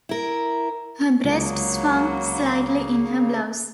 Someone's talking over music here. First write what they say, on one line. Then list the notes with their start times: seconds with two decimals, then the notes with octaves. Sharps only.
Her breasts swung slightly in her blouse.
0.09 E4 A#4
1.24 C#2 C#3 F#3 A#3